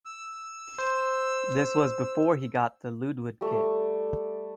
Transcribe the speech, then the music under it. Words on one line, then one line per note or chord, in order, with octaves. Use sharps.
This was before he got the Ludwig kit.
E6
C5
G3 A3